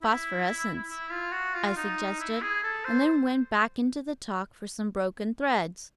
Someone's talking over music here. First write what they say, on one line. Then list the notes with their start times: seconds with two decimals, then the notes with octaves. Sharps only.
"Phosphorescence," I suggested, and then went back into the talk for some broken threads.
0.02 E4
0.89 E4
1.11 F4
1.32 F#4
1.55 F4
1.76 D#4
2.20 E4
2.42 G#4
2.64 A4
2.85 C5